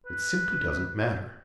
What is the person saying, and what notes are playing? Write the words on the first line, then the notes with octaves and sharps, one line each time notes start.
It simply doesn't matter.
B4